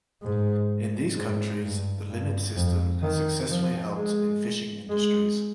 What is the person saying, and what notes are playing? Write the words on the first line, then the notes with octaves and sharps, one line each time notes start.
In these countries the limit system has successfully helped in fishing industries.
G#2
G#2
G2
G2
F2
D#3
F3
G#3
G#3